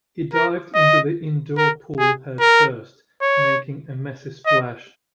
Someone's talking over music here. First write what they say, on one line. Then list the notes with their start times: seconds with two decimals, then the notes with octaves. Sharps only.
He dived into the indoor pool head first, making a messy splash.
0.34 A#4
0.75 D#5
1.58 A#4
1.99 G#4
2.40 A#4
3.22 C#5
4.46 D#5